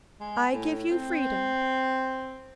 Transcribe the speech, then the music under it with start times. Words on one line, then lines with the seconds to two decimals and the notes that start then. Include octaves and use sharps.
I give you freedom.
0.20 G#3
0.54 A2
0.91 C4